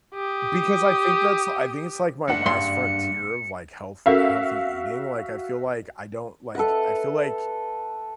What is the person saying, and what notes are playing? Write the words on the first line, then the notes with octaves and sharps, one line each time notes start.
Because I think that's I think it's like my last frontier of like health healthy eating, like, I feel like I don't like, I feel like
G4 D#6
F#1 D4 F#5 C#7
G2 C6
C#4 F#4 A4 A#4 E5 F5
A4 B4 E5 F#5